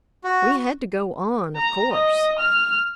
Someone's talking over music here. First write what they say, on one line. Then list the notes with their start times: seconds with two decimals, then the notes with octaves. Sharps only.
We had to go on, of course.
0.24 F#4
1.56 A#5
1.93 D#5
2.39 F6